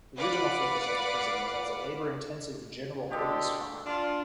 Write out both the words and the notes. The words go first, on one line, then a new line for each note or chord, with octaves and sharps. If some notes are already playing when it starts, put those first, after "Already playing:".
The original focus of the prison was as a labor-intensive general-purpose farm.
B4 D5 F5 F#5 D6
B2 D3 G#3 G4 A4
D4 F4